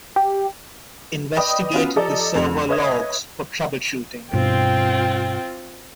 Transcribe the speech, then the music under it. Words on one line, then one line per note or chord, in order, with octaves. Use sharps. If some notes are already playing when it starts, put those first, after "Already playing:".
Investigate the server logs for troubleshooting.
G4
B4 D5 D#5 G5 B5 D#6
B3 C#4 F4 F#4 B4
F3 G4 A4 D5 D#5 A#5
F1 F2 F7
B4 C#5 D#5 E5 D#6 G#6
G2 B2 C4 F4 G5